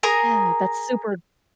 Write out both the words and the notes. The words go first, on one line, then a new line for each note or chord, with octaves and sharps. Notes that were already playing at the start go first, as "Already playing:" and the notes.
Yeah, that's super
G#4 A#4 A#5 D#6